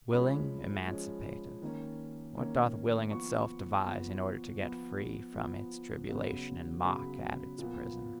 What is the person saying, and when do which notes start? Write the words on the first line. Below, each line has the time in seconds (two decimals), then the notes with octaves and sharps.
Willing emancipateth: what doth Willing itself devise in order to get free from its tribulation and mock at its prison?
0.12 F3 G#3 C#4 B5
0.88 F3 G#3 C#4
1.62 D#3 A#3 C#4
2.36 D#3 A#3 C#4
3.11 F3 B3 C#6
3.85 F3 B3
4.60 F3 B3
5.34 F3 B3
6.09 C#3 F#3 B3
6.83 C#3 F#3 B3 B5
7.58 A#2 F3 B3